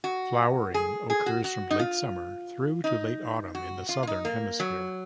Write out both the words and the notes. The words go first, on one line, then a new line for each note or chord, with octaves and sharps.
Flowering occurs from late summer through to late autumn in the southern hemisphere.
F#4
G#4
G#4
F#4
F#4
D#4
F4
D#4
F#4
F4
F4
D#4
A#3
F#3